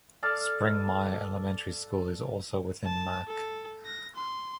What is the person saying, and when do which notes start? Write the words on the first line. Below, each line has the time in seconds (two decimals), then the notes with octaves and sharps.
Springmyer Elementary School is also within Mack.
0.23 A4 D5 F5
2.85 A5
3.28 A4
3.86 A#6
4.16 C6